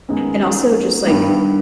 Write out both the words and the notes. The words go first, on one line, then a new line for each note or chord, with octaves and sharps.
And also just like,
F#2 D#3 G#3 B3
G2 D#3 G3 B3